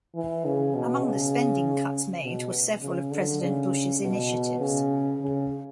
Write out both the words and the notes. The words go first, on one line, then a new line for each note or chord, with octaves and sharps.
Among the spending cuts made were several of President Bush's initiatives.
E3
C#3
B2
C#3
B2
C#3
D3
C#3
B2
C#3
C#3